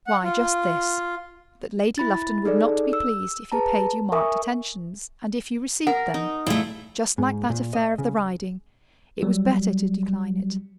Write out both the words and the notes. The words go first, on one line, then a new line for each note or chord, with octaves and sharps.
"Why, just this: that Lady Lufton would not be pleased if he paid you marked attentions, and if you received them;--just like that affair of the riding; it was better to decline it."
F#5
F4
E4 B5 A6
D#4 G#4 A4 D5
E6
G#4 B4 A5 A#5
A#4 E5 G#5 C#6 D#6
A#4 F#5
D#4
A#2 A3 E4
G#2
A#2
D#5
C#3
F#3 G3